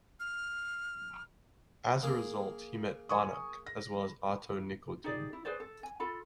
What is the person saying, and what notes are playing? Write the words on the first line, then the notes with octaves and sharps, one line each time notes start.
As a result, he met Banach, as well as Otto Nikodym.
F6
A#3 G#4
G#5 C#6 D#6
A#6
D#4 G4 G#4 D5
E4
G#4 B4 C5 D5
A4
G#5
F4 A4 B5